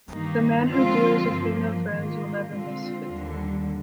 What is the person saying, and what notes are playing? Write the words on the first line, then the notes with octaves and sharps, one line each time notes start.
The man who deals with female friends, will never miss fatigue.
G2 D#3 A#3 D#4
D3 F3 G#3 C4 F4
G2 F3 A#3
G#2 D#3 A#3 F4
D3 G#3 C4 F4
D#2 D3 G3